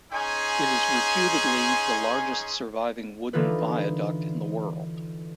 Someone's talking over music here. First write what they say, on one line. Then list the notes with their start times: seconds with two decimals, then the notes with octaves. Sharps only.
It is reputedly the largest surviving wooden viaduct in the world.
0.12 C#4 D#4 G#4 G#5 C6
3.33 D3 E3 D#4 F4 B4